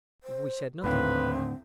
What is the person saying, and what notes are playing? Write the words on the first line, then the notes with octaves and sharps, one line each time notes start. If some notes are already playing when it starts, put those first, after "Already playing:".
"We said nothing."
C5
D#1 A1 D#2 A2 D3 C4 B4